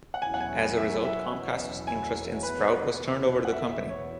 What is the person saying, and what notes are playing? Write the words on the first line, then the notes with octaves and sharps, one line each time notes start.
As a result, Comcast's interest in Sprout was turned over to the company.
F#5
E2 B2 F#3 C#4 E4 G#5
F#5
G#5
E5
E5
G#5
E2 B2 B3 B4
F#5
E5
E5
C#5